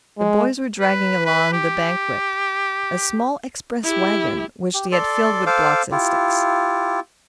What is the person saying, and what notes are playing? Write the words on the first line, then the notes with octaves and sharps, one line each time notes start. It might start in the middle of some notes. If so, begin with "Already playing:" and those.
The boys were dragging along the banquette a small "express wagon," which they had filled with blocks and sticks.
G#3
B4
B4
G4
E4 G4
G4
A4 D5 C6
A4 C5 F5 D6
E4 F4 G4